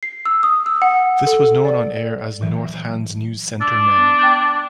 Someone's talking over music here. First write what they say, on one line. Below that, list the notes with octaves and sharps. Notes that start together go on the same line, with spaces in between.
This was known on-air as Northand's NewsCenter Now.
C7
E6
D#6
E6
F#5
A4
D5
A#2 E3 F#3
D4 E6
B3
G5 G6